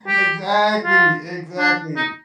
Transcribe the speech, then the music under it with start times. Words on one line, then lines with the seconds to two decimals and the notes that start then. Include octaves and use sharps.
Exactly, exactly.
0.08 G4
0.84 F4
1.59 D4
1.96 D#4